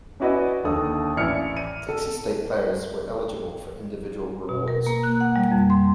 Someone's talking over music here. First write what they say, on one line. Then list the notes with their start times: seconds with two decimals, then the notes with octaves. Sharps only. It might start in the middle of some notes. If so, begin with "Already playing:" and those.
Dixie State players were eligible for individual rewards.
0.20 C#4 E4 F#4 B4 D5 D#5
0.64 D#2 D3 A4 D#6
1.17 A1 E4 D5 F6 C#7
1.57 D#7
1.89 A4
4.49 B2
4.68 A#4
4.87 A#3
5.03 F#6
5.20 F#5
5.36 G3
5.51 F2
5.70 C6